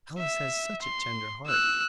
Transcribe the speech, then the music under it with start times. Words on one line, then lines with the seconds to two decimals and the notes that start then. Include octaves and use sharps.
"Alice has such a tender heart."
0.19 E5
0.82 C6
1.47 E6 F#6